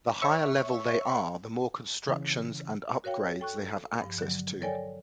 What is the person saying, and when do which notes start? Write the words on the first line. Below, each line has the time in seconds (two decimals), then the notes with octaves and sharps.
The higher level they are the more constructions and upgrades they have access to.
0.21 C#5 E5 C#6
2.08 C#3 E3 C#4
3.04 F#4 A#4 C#5 F5 G5
3.40 A4 G5 C#6 F#6
4.02 G2 F3
4.18 D3 F#3
4.61 A4 A#4 C#5 D5 G5 G#5